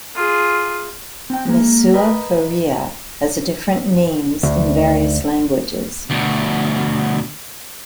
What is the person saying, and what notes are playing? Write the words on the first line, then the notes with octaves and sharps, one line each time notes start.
Mesua ferrea has different names in various languages.
F4 G#4
C4 G5
G#3 A#3
A#4 B4 D#5
D2
D2 B2